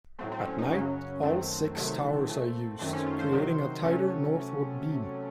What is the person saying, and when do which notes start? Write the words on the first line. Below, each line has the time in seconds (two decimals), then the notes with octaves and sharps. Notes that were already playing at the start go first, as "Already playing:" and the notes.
At night, all six towers are used, creating a tighter northward beam.
0.19 A2 F#3 A3 C4
0.32 C4
0.45 C#4
0.58 D#4
0.70 F#2 C#3 F#3 C#4
1.23 F#2 D#3 F#3 A3 C4
1.75 C3 D#3 F#3 A3
2.28 A#2 A3
2.79 F#2 D#3 A3 C4
2.93 C#4
3.06 F4
3.19 C5
3.32 C3 D#3 F#3
3.84 C3 F#3 A3 C#4